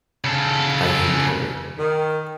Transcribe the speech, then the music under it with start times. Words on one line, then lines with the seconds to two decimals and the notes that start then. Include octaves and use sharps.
I hate her.
0.24 C#3 A4
1.78 D#3